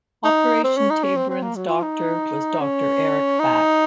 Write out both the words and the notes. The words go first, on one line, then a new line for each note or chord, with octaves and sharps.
Operation Tabarin's doctor was Doctor Eric Back.
D#4
C4
C#4
D#4
C#4
C4
C4
A#3
F#3
F4
D#4
C#4
D#4